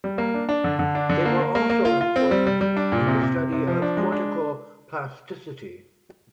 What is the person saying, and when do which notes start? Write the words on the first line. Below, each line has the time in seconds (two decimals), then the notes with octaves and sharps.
They were also important in the study of cortical plasticity.
0.04 G3
0.18 A#3
0.34 D4
0.49 D4
0.64 D3
0.79 D3
0.95 D4
1.09 D3
1.25 A#3
1.39 A#3
1.55 A#3
1.70 A#3
1.85 F4
2.01 F4
2.16 C4
2.31 G3
2.47 G3
2.61 G3
2.77 D4
2.92 A#2
3.07 C3
3.21 C3
3.36 C3
3.52 C3
3.67 F3
3.82 D4
3.97 G#3
4.12 D4